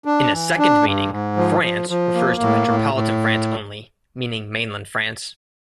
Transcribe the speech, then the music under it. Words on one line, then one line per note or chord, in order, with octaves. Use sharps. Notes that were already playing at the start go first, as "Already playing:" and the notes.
In a second meaning, "France" refers to metropolitan France only, meaning mainland France.
D4
E3
D4
G2
G#2
F3
F3
F3
A#3
A2
A2
A2